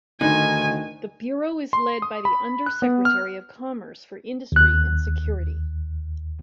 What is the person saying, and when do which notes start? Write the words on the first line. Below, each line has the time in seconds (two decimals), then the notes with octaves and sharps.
The Bureau is led by the Under Secretary of Commerce for Industry and Security.
0.21 D2 D3 D#3 D#4 G#5
1.73 C6
2.02 D#6
2.25 B5
2.66 F#6
2.82 B3
3.05 F6
4.52 D#2 F#6